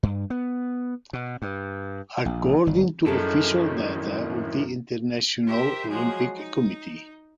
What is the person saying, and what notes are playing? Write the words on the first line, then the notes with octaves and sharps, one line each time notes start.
According to official data of the International Olympic Committee.
G2
B3
B2
G2
A#1
G1
F#2 A2 D#3 G#4 A4
G4 A#4 C5 E5
F3 F#3 G#3 G#4
D#4